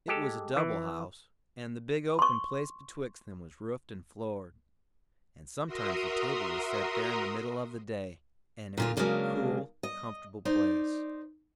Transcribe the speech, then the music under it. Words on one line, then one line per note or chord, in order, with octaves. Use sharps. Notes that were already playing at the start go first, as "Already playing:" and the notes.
It was a double house, and the big open place betwixt them was roofed and floored, and sometimes the table was set there in the middle of the day, and it was a cool, comfortable place.
G#3 G4 A4
E3
C6 C#6
F#4 A#4 E5 A#5 C6 D#6
A#2 D3 F4
C#3 F#3 G#3 A#3 D4
D#5
D#4 C5 D5